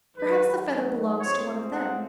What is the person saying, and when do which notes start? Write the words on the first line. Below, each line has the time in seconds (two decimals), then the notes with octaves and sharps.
Perhaps the feather belongs to one of them.'
0.15 G#2 D#3 F#3 B4
1.19 A2 F3 G#3 C4 C#5
1.72 F#5